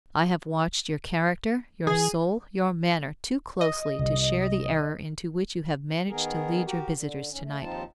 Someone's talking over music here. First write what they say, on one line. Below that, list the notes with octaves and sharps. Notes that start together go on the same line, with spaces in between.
I have watched your character, your soul, your manner, too closely to share the error into which you have managed to lead your visitors to-night.
E3 G#4
D#5
C2
D#3 B3 G#4 A#4
F#4 G4 A#4
D3
G#2 C#4
A3
D#2 F3 C4 D#4 F4 A5